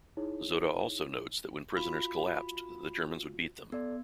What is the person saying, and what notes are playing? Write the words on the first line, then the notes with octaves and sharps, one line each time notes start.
Zotta also notes that when prisoners collapsed the Germans would beat them.
D#4 E4 G#4 C#5
F4 F#4 B5
B3 A4 D5